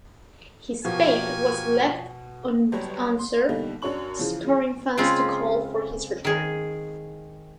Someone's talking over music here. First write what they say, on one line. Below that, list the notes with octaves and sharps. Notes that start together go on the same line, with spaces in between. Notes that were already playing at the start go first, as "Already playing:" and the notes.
His fate was left unanswered, spurring fans to call for his return.
B2 F3 G4 A#4 G#5 C#6
G1 F#3 G3 C#5
C6
B2 D3 G3 A#3 D#4
F#2 D4 F#4 C#5 C#6 F#7
C#3 E3 F3
C#3 G#3 C4 C#4 F4
D#3 G#4